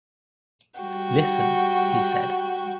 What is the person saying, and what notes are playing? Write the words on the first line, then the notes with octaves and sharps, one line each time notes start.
"Listen," he said.
G3 F#4 G5